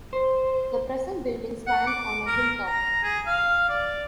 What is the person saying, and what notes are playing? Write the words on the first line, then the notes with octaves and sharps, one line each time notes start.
The present building stand on a hilltop.
C5
F#5
D6
A#4
A#5
G#4
F5
D5